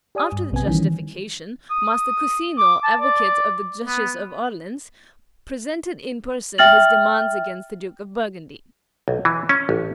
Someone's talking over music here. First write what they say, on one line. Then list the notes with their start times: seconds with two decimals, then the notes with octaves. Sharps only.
After the justification, Master Cousinot, advocate of the Duchess of Orleans, presented in person his demands against the Duke of Burgundy.
0.15 G4 D5 G#5 D#6
0.32 G2
0.52 A#1 C3 B3 C4 G#5
0.66 D#3 E3 G3 C#4
1.71 D#6
2.58 D6
2.84 A5
3.01 D5
3.86 B3
6.58 E5 G5 F6 A6 F#7
9.08 B1
9.25 E3
9.49 C#4
9.69 A1